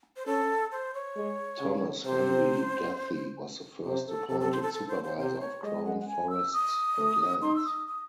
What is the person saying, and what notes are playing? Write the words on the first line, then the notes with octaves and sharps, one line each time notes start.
Thomas Henry Duthie was the first appointed Supervisor of Crown Forests and Lands.
C5
C#4 A4
C5
C#5
G#3
C#3
C3 C5
C3 C5
A4
C3 A4
A4
C5
A4
A4
C5
C5
C3 C5
C#5
G#3 D#5
F#5
F#5
G#5
E6
D#6
A3
D#4 C6
E6
D#6
D#6